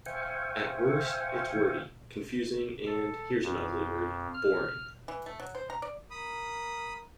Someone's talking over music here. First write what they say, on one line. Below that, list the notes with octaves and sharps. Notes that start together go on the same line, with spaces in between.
At worst, it's wordy, confusing and - here's an ugly word - boring.
C5 E5 F5 G5 G#5 C#6
A4
F2
F6
E3
A3
F#3
C5
A#5
D5
A#4 B5 D#6